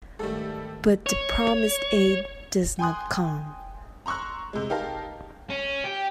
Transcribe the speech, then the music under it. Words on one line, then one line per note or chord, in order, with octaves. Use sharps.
But the promised aid does not come.
G#2 D#3 G3 A3 A4
C#5
G5 G#5 C6 D#6 F#6
A#5 C6 C#6 E6 F#6
C3 G#3
D#4 G4 A#4 F5 A5
C#4
G4